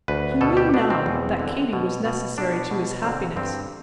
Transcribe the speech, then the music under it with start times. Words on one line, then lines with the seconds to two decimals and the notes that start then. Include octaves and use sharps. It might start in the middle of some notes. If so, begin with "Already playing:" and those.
He knew now that Katy was necessary to his happiness.
0.08 D2 B4
0.41 B2 A4
0.57 G4
0.74 B2 D4
0.90 C4
1.06 E2
1.39 D3
1.73 B2
2.05 B2
2.38 B2 D4
2.71 B2
3.04 D3 C4
3.36 G2 C4